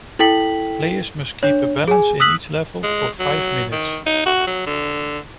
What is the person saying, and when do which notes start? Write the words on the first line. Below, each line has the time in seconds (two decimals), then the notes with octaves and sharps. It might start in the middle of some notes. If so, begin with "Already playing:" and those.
Players must keep a balance in each level for five minutes.
0.19 E4 A4 G5 B6 F#7
1.43 D4 C#5
1.88 G#4 G#5
2.20 D#6 E6 F#6 B6 F#7
2.83 G#3
3.19 F#3
3.72 D#3
4.06 D#4
4.26 F#4
4.47 F#3
4.66 D3